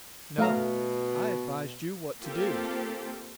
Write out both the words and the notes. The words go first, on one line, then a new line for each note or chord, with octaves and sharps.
"No, I advised you what to do!"
B2 A3 F5 A#5
A#3 C4 F4 G4 A4